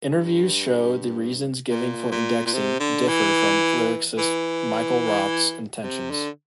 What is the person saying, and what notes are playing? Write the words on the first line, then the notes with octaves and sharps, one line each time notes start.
Interviews show the reasons giving for indexing differ from lyricist Michael Roth's intentions.
G2
A#2
A#2
A#2
C3
D3
E3
E3
C3
D3